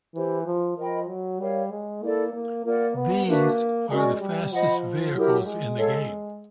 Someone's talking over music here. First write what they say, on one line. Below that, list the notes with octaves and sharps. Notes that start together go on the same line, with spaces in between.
These are the fastest vehicles in the game.
E3 E4 G4 C5
F3
F3 A#4 D#5 G5 B5
F#3
G3 A#4 C#5 F5
G#3
A#3 E4 A4 D5
A#3
A#3 F4 A#4 D5 F#5
B3
A#3 D4 F#4 B4 E5
G#3 C#4 F#4 A#4 D5
G3
F3 C5 D#5 F#5 B5
F#3 E4 G4 A#4
G#3
A4 C#5 F5